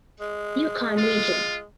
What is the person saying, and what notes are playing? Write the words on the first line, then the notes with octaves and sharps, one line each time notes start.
Yukon region.
G#3
F4